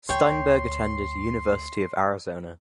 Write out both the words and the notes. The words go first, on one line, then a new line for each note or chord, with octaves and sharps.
Steinberg attended University of Arizona.
D2 C#5 G5 C6